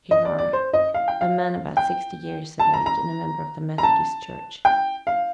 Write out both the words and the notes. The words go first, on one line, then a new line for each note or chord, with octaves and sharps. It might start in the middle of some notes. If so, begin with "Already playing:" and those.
Hirara, a man about sixty years of age, and a member of the Methodist Church.
D#5
D5
D5
C5
D#5
F5
G5
F5
G5
A5
A#5
A#5
A#5
A5
G5
F5